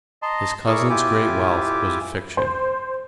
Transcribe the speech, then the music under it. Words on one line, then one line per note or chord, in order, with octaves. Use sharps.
His cousin's great wealth was a fiction.
D#5 A5 A#5 C6
E4 G#4 A#4 D5 C#6
E4 F4 G4 G#5 D6
C5